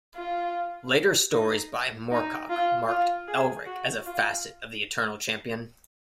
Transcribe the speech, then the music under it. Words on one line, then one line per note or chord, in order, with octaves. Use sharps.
Later stories by Moorcock marked Elric as a facet of the Eternal Champion.
F4
D#4
D#4
F4
F4
G#4
F#4
F4